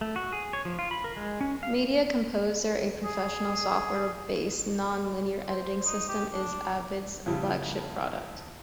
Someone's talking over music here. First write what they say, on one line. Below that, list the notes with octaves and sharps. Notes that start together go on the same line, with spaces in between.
Media Composer, a professional software-based non-linear editing system, is Avid's flagship product.
A3
F#4
G#4
C#5
F3
F4
B5
A#4
G#3
C#4
F5
G#4
C5
D#4
G4
D4
F2 A#2 C#3 G3 E4 F4